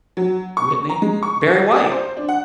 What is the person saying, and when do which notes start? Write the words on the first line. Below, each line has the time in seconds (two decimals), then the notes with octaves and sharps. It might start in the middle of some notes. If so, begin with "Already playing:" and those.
Whitney, Barry White.
0.17 F#3
0.57 C#6
0.89 A#5
1.02 G#3
1.23 C#6
1.48 F#4
1.76 D5
1.91 C5
2.17 D4
2.29 F#5